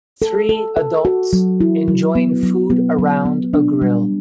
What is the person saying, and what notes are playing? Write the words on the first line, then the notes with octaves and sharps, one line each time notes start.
Three adults enjoying food around a grill.
A4
A4
A4
F#4
F#3
E4
F#3
B3
F#3
B3
F#3
B3
D4
G3